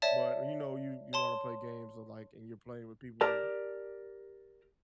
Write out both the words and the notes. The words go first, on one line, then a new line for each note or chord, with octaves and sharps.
But you know, you you wanna play games or like, and you're playing with people
C#5 D5 E5 A5
C#5 A5 C6
G4 A#4 D5 A5